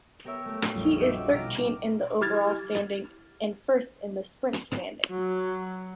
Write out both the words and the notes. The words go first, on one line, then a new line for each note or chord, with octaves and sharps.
He is thirteen in the overall standing and first in the sprint standing.
B3 G4 A#4 C#5 E5
A3 G4
A#1 F2 G3 C#4 F4
C#4 D#4 F#4 D5 E5 G5
B2 F4 A#5 D6 F6
E4 G4 F6 G#6 A6
F#3